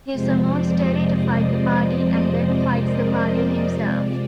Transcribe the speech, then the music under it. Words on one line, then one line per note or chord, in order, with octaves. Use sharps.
He summons Terry to fight the party and then fights the party himself.
F2 C3 F3 G#3 C4 C5
D5
D#5
C5
A#4
C5
C3 F3 G#3 C4 D5